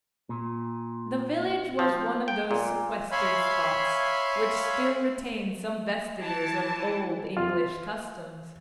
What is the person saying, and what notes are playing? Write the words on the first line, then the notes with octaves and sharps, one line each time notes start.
The village was one of those sequestered spots which still retain some vestiges of old English customs.
A#2
F3
G5
A#2
C#5 E5 F5 G#5 B5 C6
E3 A5
F4